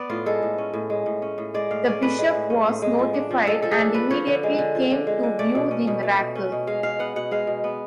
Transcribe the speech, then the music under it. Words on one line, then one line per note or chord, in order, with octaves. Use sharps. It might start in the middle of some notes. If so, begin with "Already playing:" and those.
The Bishop was notified and immediately came to view the miracle.
Already playing: B3 D5
A2 F4
G#3 A4
A2
C#4
A2
G#3
A2
C#4
A2
G#3 D5
A2 F5
C#4 D5
A2 B4
G#3
A2
C#4
A2
G#3
F3
D4
F3
G#3 A4
F3 A4
G#4
D4 A4
F3 B4
F3 C#5
D3
G#3
D3
F3
D3
G#3
D3
A3 D5
B2
C#4
B2
A3
B2
C#4
B2
G#3 F5
B2 F5
B3 F#5
B2 F#5
G#3 F5
B2
B3